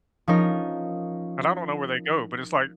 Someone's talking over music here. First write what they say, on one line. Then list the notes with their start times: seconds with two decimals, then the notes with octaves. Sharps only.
and I don't know where they go, but it's like
0.28 F3 C#4 D#4 A#4